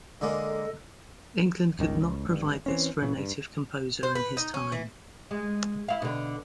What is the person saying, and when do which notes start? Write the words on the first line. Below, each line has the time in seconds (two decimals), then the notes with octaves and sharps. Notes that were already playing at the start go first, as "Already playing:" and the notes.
England could not provide this for a native composer in his time.
0.21 D3 G#3 A#3 A4 D#5
1.79 G1 C#2 D#3
2.01 C#2
2.25 G#1 G2
2.66 E3 C4 C#4
3.02 A#2 C#3 E3
3.17 G2
4.03 C5
4.15 B4
4.37 D#4
4.54 C#4
4.72 E3
5.31 G#3
5.88 E4 F5
6.02 B2 D3